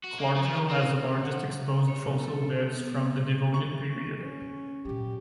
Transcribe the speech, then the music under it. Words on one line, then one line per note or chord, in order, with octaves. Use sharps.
Clarksville has the largest exposed fossil beds from the Devonian period.
F#4
A#3
F3
C4
C#4
F#5
C#3
C#5
B2
A4
B3
C#6
C#4
A#2 F#3 G4